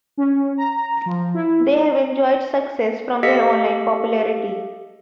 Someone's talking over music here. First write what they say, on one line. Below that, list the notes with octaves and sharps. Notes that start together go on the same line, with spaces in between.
They have enjoyed success from their online popularity.
C#4
A#5
F3
E4
G4 A4 D#5 F5 B6 C#7